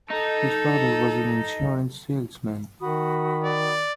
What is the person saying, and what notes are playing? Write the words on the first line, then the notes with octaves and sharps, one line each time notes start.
His father was an insurance salesman.
D#4 A4
D#3 F#4 B5 D#6
D5